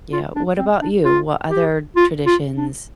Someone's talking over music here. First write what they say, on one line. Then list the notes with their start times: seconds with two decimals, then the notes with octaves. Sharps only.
Yeah, what about you? What other traditions
0.13 F4
0.36 D4
0.59 C4
0.82 D4
1.05 F4
1.50 G4
1.96 F4
2.26 F4
2.57 D4